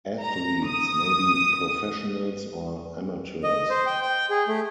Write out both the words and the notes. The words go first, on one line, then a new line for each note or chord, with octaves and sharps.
Athletes may be professionals or amateurs.
A#5
D#6
D#5
C5
G5
G5
G#4
A3